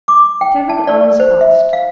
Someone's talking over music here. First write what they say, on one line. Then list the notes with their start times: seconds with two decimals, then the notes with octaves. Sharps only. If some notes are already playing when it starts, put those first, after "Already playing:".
Several hours passed.
0.08 D6
0.41 G5
0.70 A5
0.87 D5
1.20 C5
1.41 E5
1.73 F5